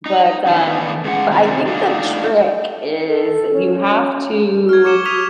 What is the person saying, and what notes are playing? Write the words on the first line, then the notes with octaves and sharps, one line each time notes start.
but, um, but I think the trick is you have to
D#4
D#3 E3 A3 B3 D4 D#4
C#3 G#3 C#5 F#5
C3 D#3 F4 A4
A3 D4 D#4 F4
A4
C#4
F6 G#6
C#6 D6 C#7 E7 G7
C#6 D#6 F6 B6 D#7 F7